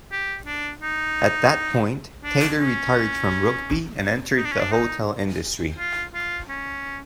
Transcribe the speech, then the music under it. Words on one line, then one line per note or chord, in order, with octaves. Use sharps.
At that point, Taylor retired from Rugby and entered the hotel industry.
G4
D4
D#4
D4
C#4
D#4
D4
C#4
D4
D#4
F4
F4
C#4